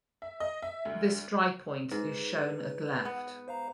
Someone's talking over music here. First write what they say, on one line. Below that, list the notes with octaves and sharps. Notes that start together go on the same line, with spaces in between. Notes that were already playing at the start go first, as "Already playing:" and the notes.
This drypoint is shown at left.
E5
D#5
E5
D2
G#2 B4
B3
C5 F5 A#5